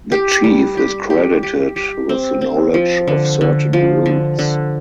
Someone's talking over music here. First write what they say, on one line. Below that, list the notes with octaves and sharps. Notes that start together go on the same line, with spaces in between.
The chief is credited with the knowledge of certain roots.
G4
G3
G4
G4
G4
G4
C4
C4
F3
D3
D3
F3
D3
D3